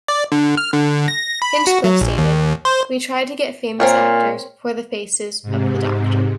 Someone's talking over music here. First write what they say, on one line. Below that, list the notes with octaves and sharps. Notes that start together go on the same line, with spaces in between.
Hinchcliffe stated, We tried to get famous actors for the faces of the Doctor.
D5
D3
F6
D3
A#6
B5
F#4
F#3
A#1
D#2
C5
A#2 C4 A#4 C#5
G#2 C3